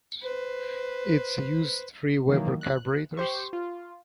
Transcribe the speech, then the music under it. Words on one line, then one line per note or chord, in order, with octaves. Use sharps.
It used three Weber carburetors.
B4 C5
D#3 E3 F#3 A#3
F#6
G4 C5 C#6
F4